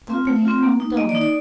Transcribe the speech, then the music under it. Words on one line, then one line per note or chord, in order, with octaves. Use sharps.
Doubly undone!
C4 F4
A3
C4 F4
A#3
D#4
A#3 D#5
D5
D#4
D5